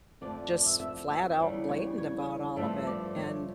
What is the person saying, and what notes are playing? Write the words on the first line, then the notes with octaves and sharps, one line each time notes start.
just flat out blamed about all of it, and
F2 D3 F3 A3 D5
D5
E5
E5
E5
E2 C#3 G3
C#5
C#5
G2 F3 A3 E5
D5
C#5